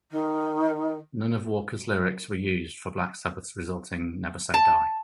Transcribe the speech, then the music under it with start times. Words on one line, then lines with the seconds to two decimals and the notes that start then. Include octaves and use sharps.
None of Walker's lyrics were used for Black Sabbath's resulting Never Say Die!
0.10 D#3
4.54 A5